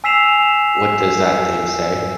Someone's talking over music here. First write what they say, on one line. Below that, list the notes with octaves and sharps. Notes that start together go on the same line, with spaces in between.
What does that thing say?
G#5 E6 B6 C7 E7 F7